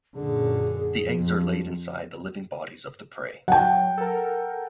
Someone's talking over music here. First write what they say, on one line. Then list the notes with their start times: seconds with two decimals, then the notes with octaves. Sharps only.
The eggs are laid inside the living bodies of the prey.
0.16 F#2 A#2 D3 G#4
1.01 F2
3.48 F#3 F#5 G5
3.98 A4 A#4